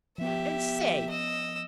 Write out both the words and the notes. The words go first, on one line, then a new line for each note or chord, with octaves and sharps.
And say!
F3 B3 G4 E5
D#5 E6